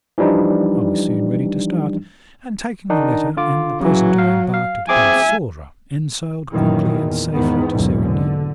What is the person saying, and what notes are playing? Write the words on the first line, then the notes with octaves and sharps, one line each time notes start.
I was soon ready to start, and taking the letter and the present I embarked at Balsora, and sailed quickly and safely to Serendib.
E3 F3 G3 D4 D#4
D#3 D4 D#4
D3 F4 D6
C#3 E3 F#3
F5
F5
C4 G#4 E5 G#5 D6
F#2 A#2 D#3 E3 F#3
E2 A#2
E2 G#2 D#3 B3
F#1 B1 E2 G#2 B2 D3
D3